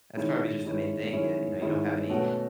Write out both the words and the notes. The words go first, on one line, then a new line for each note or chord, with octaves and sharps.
that's probably just the main thing, y you know, you don't have any,
D#3 G#3 C#4 E4
D#3 G#3 C#4 E4
D#3 G#3 C#4 E4
D#3 G#3 C#4 E4
B2 A3 C#4 F#4